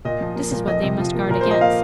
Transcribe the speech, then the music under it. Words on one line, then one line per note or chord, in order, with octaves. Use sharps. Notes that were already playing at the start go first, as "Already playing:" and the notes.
This is what they must guard against.
A#2 D#5
F3
A#3
A#2
F2 D#5
C3
F3
A#3
A#2 A#4
C5
F3 D#5
A#3 F5